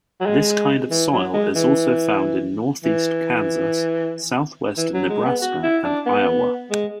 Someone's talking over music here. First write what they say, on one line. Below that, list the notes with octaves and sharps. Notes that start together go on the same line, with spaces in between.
This kind of soil is also found in northeast Kansas, southwest Nebraska, and Iowa.
F#3
G#3
E3
F#3
G#3
E3
E3
E3
F#3
G#3
B3
F#4
E4
D4
B3
G#3